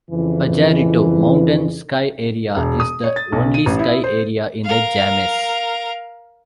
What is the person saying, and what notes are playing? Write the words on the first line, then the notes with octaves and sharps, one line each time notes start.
Pajarito Mountain Ski Area is the only ski area in the Jemez.
F2 C#3 E3
E1
D#6
C#5
A6
B1
D#7
A1
E4
C5
A#4 F5